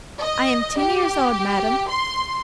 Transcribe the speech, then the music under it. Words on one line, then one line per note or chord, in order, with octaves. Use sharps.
"I am ten years old, madame."
D#5
G4
C6